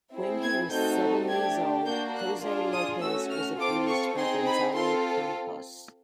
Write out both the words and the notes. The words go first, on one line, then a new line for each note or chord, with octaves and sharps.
When he was seven years old, Jose Lopez was abused by Gonzalo Campos.
C4 E4 G#4
G#6
A3 C4 D#4 F#4 A4 G6
A3 D4 G4 G#6
A#3 D4 F#4 G6
F#6
D4 F4 G#4
D#6
A3 C#4 F#4 E6
F6
C4 F4 A4 D6
C#6
C4 D#4 G#4 C6
B5
C4 F4 A4 C6